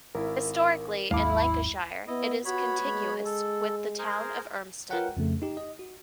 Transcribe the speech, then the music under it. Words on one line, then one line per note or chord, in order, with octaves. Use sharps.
Historically in Lancashire, it is contiguous with the town of Urmston.
G#1 E4 A#4
G#1 D#2 G#3 E4 F5 A5 D6
B3 E4 D#5
B3 F#4 C#5 B5
G#3
A4
G#4 A#4 C5
F4 A#4 B4 C#5 F#5 G5
F2 C#3 A3
D#4 G4
D#5
F#4